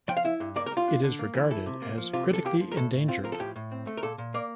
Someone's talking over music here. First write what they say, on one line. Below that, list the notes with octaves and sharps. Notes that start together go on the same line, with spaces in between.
It is regarded as critically endangered.
F3 G5
F5
E4 E5
G2
A#3 D5
A#4
G3
F4
D4
D3
A#3
E3
E4 A4
C3
A#3
F3
C3 F4
C3 A4
A#3 G4
F3
A#4
A2 A4
A2
C4 F4
F3 A#4
A4
A2 G4
A2
C4
A3
A#4
A#2 A4
A#2
A#3 D5